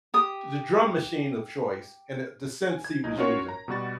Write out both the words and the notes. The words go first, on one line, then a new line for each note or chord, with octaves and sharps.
the drum machine of choice and the the synths he was using.
G4 D#6
G#5
G#6
B1 D#4
C#4 F4 F#4 A#4 C#5 C#6
A#5
B2 G3 F#4 A6